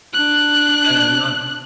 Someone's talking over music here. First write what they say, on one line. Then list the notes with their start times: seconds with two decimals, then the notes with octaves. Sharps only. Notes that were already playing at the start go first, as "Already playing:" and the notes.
And I'm not
0.13 D4 F#6